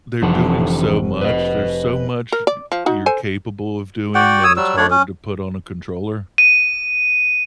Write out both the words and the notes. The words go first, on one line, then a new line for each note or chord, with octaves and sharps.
They're doing so much. There's so much y you're capable of doing that it's hard to put on a controller
F1 D3 E3 A4
B4 D#5
A#4
D5
F3
D#4 F#4
A4 C5 G#5
F#4 D5 F#5 G5
C#5 D#6 E6
F#3 G3 E6
A3 D4 C#5 D5
C#4
D#7